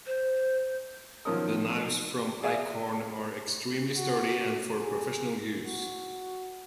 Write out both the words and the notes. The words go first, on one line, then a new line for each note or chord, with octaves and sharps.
The knives from Eickhorn are extremely sturdy and for professional use.
C5
B1 D#3 F3 C#4 A#4 D#6
G#4 D5 E5 F5 G#5
F#4
G#4
F#4